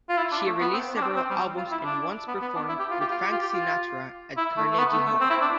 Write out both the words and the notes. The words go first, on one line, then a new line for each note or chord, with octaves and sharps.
She released several albums and once performed with Frank Sinatra at Carnegie Hall.
F4
E4
D4
A3
B3
C4
D4
C4
C4
G3
F4
E4
D4
B3
B3
D4
E4
G4
F4
G4
F4
G4
F4
G4
F4
E4
A3
A3
B3
A3
A3
C4
E4
D4